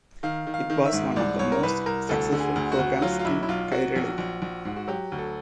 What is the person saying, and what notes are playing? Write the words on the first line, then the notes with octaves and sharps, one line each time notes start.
It was one of the most successful programs in Kairali.
D#3 F5
D#3
F5
D#3
E5
G#2
C2 D5
C2 C#5
A#4
C2 B4
C2 A#4
D2 A4
D3
G#4
D2
F#4
D2
F#3 F4
F4
B1 E4
E4
B1 F4
F#3 F#4
A#1
A#1
A#1
G#2
F#4
F#3 G4
D2
A4